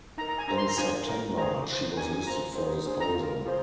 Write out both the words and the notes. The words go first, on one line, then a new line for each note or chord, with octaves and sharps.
In September she was listed for disposal.
D#4 A#4 A#5
A#5
G#5
D4 G4 C5 A#5
C6
A#5
D4 F4 C5 G#5
F4 A#4
F4 G#4 C5 A#5
F4 C5
D4 G4 A#4 G#5
G#5
F4 C5 A#5
D#4 G#4 C5
D4 G#4 C5
A#5
F4
A#4
F4 G#4 C5